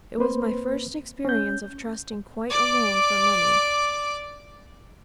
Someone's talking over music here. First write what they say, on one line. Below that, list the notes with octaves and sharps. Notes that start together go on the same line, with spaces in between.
It was my first experience of trusting quite alone for money.
A#3 C4 B4 C5
C#4 G6
D5 D6